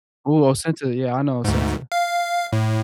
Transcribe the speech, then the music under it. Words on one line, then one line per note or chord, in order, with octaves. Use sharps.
Ooh, ohsxnta, yeah, I know ohsxnta.
D2 G#2
F5
A2